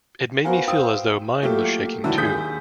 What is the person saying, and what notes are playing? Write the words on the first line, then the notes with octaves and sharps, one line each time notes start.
It made me feel as though mine was shaking, too.
B3 F#4 A#4 C5 F5 G#5
C5 F5 G5 D#6 E6
F#3 A3 A#3 F4 G4 A4
G#2 D3 D#3 F#3 E4
D#2 G#4 D#6 G6 B6